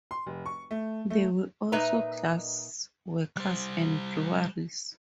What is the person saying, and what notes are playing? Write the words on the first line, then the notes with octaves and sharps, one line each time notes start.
There were also glass-works and breweries.
C6
F1
C#6
A3
A3
A#2 D#4 B4 D#5 E5 A#5
G3 C5